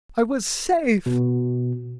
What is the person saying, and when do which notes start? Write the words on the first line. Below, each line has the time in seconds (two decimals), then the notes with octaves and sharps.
I was safe.
1.06 B2